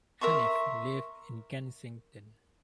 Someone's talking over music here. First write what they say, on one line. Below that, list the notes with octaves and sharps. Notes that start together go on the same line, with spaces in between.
Hanif lives in Kensington.
A#4 E5 C6 C#6